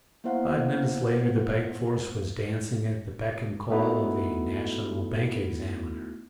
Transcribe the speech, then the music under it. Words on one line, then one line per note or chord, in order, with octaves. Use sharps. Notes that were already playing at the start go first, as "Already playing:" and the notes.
Five minutes later the bank force was dancing at the beck and call of a national bank examiner.
A#3 B3 E4 C5 F5 F#5
A3 B3 D#4 E4 F#4